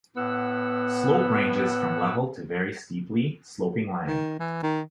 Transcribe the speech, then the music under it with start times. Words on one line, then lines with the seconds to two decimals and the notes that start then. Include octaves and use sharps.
Slope ranges from level to very steeply sloping land.
0.16 A2 B3 F#5 E6
4.07 D#3
4.39 E3
4.63 D#3